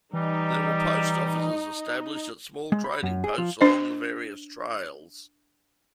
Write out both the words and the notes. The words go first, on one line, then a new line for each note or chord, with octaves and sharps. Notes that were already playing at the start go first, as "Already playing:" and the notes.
There were post offices established at small trading posts along the various trails.
E3 G3 D#4
G#3
B5
F#2
G#4
F3
D4 C5 D#5